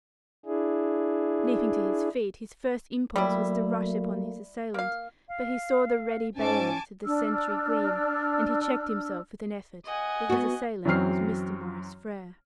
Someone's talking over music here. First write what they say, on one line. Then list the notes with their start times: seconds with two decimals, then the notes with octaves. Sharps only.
Leaping to his feet, his first impulse was to rush upon his assailant, but he saw the ready bayonet of the sentry gleam, and he checked himself with an effort, for his assailant was Mr. Maurice Frere.
0.46 D4 E4 G#4
3.16 F#3 G3 A3 A#3 E4
4.74 A#3 F5
5.29 F5
6.35 G#2 C#4 G#5 A5 D6
7.04 D4 E6 F6
9.85 D#5 F#5 G#5
10.30 B3 F#4
10.85 F#2 E3 F#3 C4 F6 C7